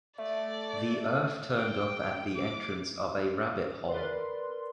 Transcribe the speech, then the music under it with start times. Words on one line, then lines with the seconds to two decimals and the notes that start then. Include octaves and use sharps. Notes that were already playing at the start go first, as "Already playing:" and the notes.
The earth turned up at the entrance of a rabbit-hole.
0.18 A3 D5
1.58 G5 D7
2.35 D6
3.88 A#4 B4 D5 C6